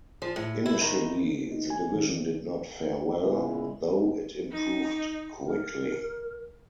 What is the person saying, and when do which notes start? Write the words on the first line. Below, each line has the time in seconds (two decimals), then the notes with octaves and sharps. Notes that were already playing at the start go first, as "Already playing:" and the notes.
Initially, the division did not fare well, though it improved quickly.
0.22 F3
0.36 A2
0.66 E4
0.81 D#3
1.51 D#4
1.70 G#5
1.95 D#3
3.21 A#2 C#3 G#3 B3 E4
4.52 D#4
5.46 A#4